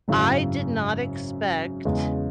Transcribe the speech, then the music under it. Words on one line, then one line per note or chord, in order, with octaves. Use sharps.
I did not expect
G#1 F#2 C#3 F#3 E4
E2 C#3 G#3